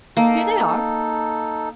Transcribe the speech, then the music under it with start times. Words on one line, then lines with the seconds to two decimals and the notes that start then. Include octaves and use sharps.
"Here they are."
0.17 A#3 D#4 A4